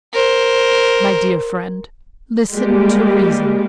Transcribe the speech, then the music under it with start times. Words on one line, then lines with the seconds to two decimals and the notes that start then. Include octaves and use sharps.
"My dear friend, listen to reason."
0.13 A#4 C5
2.53 G3 G#3 A#3 G4